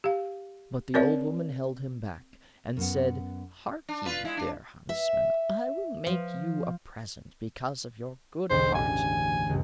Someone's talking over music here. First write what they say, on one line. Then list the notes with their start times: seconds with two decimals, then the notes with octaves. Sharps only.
But the Old Woman held him back, and said: 'Hark ye, dear Huntsman, I will make you a present because of your good heart.
0.04 G4 F5
0.94 C4 A#4 C#5 D5 E5
2.77 F#2 B3
3.89 D4
4.06 F4 B4
4.25 G#3 E4
4.37 D4
4.89 E5
6.07 F3
8.50 E1 B1 D3 C5
8.75 A1 G#5
9.49 C#2 G2